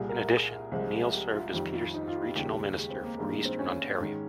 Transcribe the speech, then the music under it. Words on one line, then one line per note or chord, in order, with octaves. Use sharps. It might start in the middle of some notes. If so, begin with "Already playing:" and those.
In addition, O'Neil served as Peterson's regional minister for eastern Ontario.
Already playing: C2 A#2 G3 G#4
A#4
G#4
C2 C3 F3 G#3
G4
F4
F2 D#3 G3 G4
F4
D#4
F4
G4
F4
D#2 C#3 G3 G4
G#3
C4
A#3
G2 D#3 G#3 A#3
G#3
C4
C#4
G#2 D#3 G#3